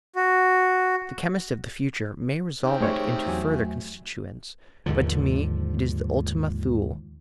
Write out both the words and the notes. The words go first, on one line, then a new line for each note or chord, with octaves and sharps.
"The chemist of the future may resolve it into further constituents, but to me it is the Ultima Thule."
F#4
D#3 C4 G4
A3 G#4 C5 C#5
E2 F#3 G#5
D#2 G#2 D3 F3